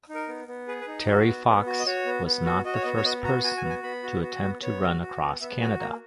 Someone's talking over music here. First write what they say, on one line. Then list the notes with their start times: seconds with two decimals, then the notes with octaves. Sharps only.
Terry Fox was not the first person to attempt to run across Canada.
0.09 D#4
0.15 A#4
0.28 B3
0.48 B3
0.68 G#4 B4
0.81 B4
0.87 D#4
1.07 F#4
1.27 B3
1.47 B3
1.66 F#4
1.79 D#5
1.86 F#4 C#5
2.06 B3
2.25 B3
2.45 F#4
2.65 F#4 D#5
2.74 C#5
2.83 B3 D#5
2.97 C#5
3.04 B3 D#5
3.24 F#4 A#5
3.44 F#4 G#5
3.57 G#5
3.63 B3
3.70 G#5
3.83 B3 B5
4.03 F#4
4.22 F#4
4.42 B3
4.62 B3 C#5
4.82 F#4
5.02 F#4
5.21 B3
5.41 B3 E5
5.61 F#4 G#5
5.80 A#3 A#5